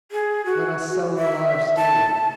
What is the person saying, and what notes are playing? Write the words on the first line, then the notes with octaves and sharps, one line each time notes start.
"Let us sell our lives dearly."
G#4
F#4
E5
A5